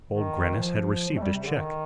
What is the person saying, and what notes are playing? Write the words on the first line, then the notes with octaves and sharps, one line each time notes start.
Old Grannis had received his check.
D#3
F3
F3
A3
G3
C3
D3
D#3